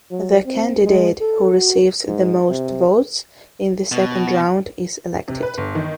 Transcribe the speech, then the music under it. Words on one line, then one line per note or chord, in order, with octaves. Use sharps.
The candidate who receives the most votes in the second round is elected.
F#3
C4
G#3
A4
F#4
G#2
C3
B2
C3
B4
G1
D#3